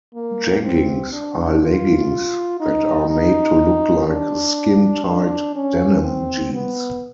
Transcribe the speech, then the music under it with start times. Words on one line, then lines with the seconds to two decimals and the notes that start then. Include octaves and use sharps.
Jeggings are leggings that are made to look like skin-tight denim jeans.
0.15 A#3
0.63 C4
1.13 D4
1.62 F4
2.61 D#4
3.09 D#4
4.08 D4
5.06 D4
5.55 C#4
6.03 C4
6.54 B3